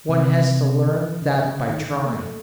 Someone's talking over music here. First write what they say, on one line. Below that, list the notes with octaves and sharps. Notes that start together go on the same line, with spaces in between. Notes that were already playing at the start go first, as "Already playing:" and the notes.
One has to learn that by trying.
C3
C#3
C#3
D#3
D#3
A#3
A3